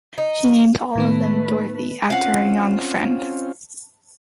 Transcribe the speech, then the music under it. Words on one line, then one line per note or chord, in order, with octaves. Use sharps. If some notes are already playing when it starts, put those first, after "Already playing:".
She names all of them Dorothy after her young friend.
D#4
A2 D#3 A3 B3 B4
C4 C#4 F4 F5 F#5